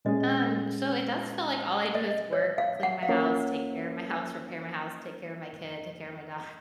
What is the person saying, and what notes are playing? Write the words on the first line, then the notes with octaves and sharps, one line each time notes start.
Um, so it does feel like all I do is work, clean my house, take care of my house, repair my house, take care of my kid, take care of my dog.
A#2 G#3 C#4 G#4 D#5
D#5
C#5
F5
F#5
F5
A#3 C#4 F4 A#4 C#5 F#5